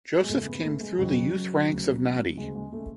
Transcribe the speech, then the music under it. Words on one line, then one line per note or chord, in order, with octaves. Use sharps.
Joseph came through the youth ranks of Nadi.
G#3
F2 C#3 A3
B3
A3
G#3
F2 C#3 F#3
D2 C#3
D2 C#3 G#3
G#3
A3